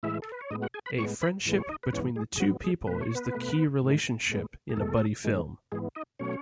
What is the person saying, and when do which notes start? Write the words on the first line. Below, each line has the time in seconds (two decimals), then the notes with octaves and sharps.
A friendship between the two people is the key relationship in a buddy film.
0.03 A2 E3 G#3 E4 E5
0.22 A4
0.32 B4
0.41 C#5
0.50 A2 G#3 B3 D#4 D#5
0.62 F#4 F#5
0.74 G#4 G#5
0.86 B4 B5
0.98 A2 G#3 B3 C#5 C#6
1.22 B4 B5
1.46 A2 E3 G#3 B3
1.58 C#5
1.69 D#4 D#5
1.83 B4
1.93 G#2 E3 B3 C#4 C#5
2.16 G#3 G#4
2.36 G#4
2.40 G#2 F#3 B3 F#4
2.64 G#3 G#4
2.87 B2 A3 B4
3.01 C#5
3.15 B3 B4
3.35 B2 A3
3.83 G#2 D#3 A3
4.29 A2 G#3 B3
4.70 G#4
4.77 E2 B2 G#3 A3 A4
5.24 G#2 D#3 G#3
5.72 G#2 E3 G#3 B3 G#4
5.95 D#4 D#5
6.19 B2 F#3 A3 C#4 C#5